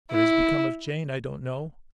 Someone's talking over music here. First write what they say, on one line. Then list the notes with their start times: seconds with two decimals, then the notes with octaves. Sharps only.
What has become of Jane I don't know.
0.12 E4